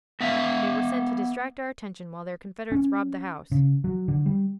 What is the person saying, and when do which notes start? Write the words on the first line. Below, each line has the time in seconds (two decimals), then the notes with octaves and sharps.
They were sent to distract our attention while their confederates robbed the house.'
0.21 B3 E5 F5
2.72 C#4
3.52 C#3
3.84 F#3
4.08 D3
4.26 G3